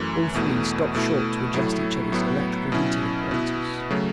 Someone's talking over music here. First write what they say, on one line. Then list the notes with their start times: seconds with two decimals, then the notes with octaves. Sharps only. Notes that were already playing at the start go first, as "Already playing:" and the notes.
All three stopped short to adjust each other's electrical heating apparatus.
Already playing: F#2 E3 A3
0.34 E2 B2 A3 E4
0.95 B2 A3 E4
1.54 A2 F#3 A3 E4
2.12 A2 F#3 B3 E4
2.72 B2 F#3 C#4 E4
3.31 B2 B3 E4
3.90 C#3 F#3 A3